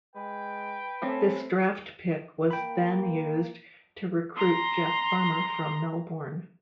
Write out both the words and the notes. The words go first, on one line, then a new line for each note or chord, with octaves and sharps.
This draft pick was then used to recruit Jeff Farmer from Melbourne.
G#3 B4 G5
A3 C4 C#4 A4
A#3 G5 B5
A#5 C6